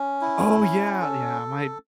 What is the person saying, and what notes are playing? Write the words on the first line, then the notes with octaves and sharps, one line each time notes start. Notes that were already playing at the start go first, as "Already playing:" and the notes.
Oh, yeah, yeah, my
Already playing: C#4
E4
C#4
A4